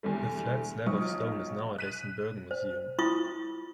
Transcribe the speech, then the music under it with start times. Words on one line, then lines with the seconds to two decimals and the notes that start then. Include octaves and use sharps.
The flat slab of stone is nowadays in Bergen Museum.
0.03 E2 D3 G3 A3
0.86 B1 F3 F#3 C#6 D#6 F6
1.79 F#6 B6 D#7
2.51 C5
2.99 E4 F4 C#6 D#6